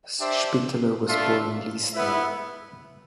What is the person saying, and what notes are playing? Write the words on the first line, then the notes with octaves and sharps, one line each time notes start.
Spitteler was born in Liestal.
D4 G4 C5 E5
A3 D4 F4 A4 E5
B3 E4 B4 E5